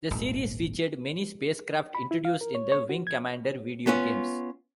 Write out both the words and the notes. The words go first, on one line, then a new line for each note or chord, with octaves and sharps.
The series featured many spacecraft introduced in the "Wing Commander" video games.
D#1 G#1
B5
E4
F5
A#4
C#5
C#5
F#4
G#6
B3 C#4 F4